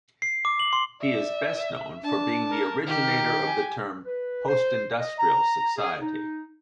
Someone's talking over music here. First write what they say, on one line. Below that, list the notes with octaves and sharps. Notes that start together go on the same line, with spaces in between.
He is best known for being the originator of the term "post-industrial society".
C7
D6
F#7
C6
D5 E5
D4 A5
A#4
D#3 G4 F6
G#5
B4
C5
D#5
A#5
G#4
D#4